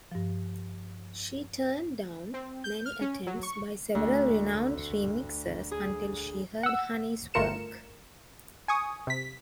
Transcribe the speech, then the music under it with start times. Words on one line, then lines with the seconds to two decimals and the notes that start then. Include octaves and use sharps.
She turned down many attempts by several renowned remixers until she heard Hani's work.
0.12 G2 F3
2.34 C4
2.64 G6
2.86 F6
3.01 C#4
3.27 F#3
3.43 C#6
3.95 D2
5.71 G#4
6.63 F#5 E6
7.34 G1 A3 F4 A#4 C#7 E7
8.68 G#5 C#6 D#6
9.07 C3 B6